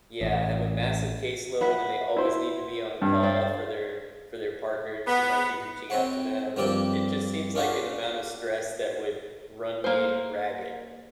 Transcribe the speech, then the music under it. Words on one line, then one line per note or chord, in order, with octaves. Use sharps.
Yeah, have a massive caseload, and they always need to be on call for their for their partners who might be reaching out to them, and it just seems like an amount of stress that would run me ragged.
A1
B4 E5 F#5
E4 C5
G2
C5 D5 F5
B3
C4 C5 C#5 F#5
G2 F3 A#3 C4 D5
C#4 D4 F4 F#4 A#4
A#3 C5